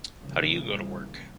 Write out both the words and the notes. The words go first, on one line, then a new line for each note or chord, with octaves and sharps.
How do you go to work?
A#2 C#3 E3 F3 G3 A#3